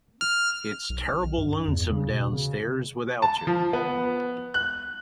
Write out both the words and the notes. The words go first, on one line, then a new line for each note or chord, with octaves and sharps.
It’s terrible lonesome downstairs without you.
F6
B1
G2
E2
C#3
B2
C#3
A5
F3
B3
F#6